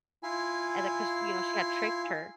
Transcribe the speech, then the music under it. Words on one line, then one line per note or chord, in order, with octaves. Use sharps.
and then 'cause, you know, she had tricked her.
E4 F4 G#5